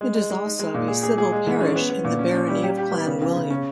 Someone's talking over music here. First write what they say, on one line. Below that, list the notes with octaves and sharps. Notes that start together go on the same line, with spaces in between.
It is also a civil parish in the barony of Clanwilliam.
G#3
G#3
G#3
D#4
G#3
A#2
G#4
G#4
G#4
G#3
E3
C#4
B3
B3
A#2
C#4
C#4
G3
G4
G4
B3
C#3
C#3
C#3
C#4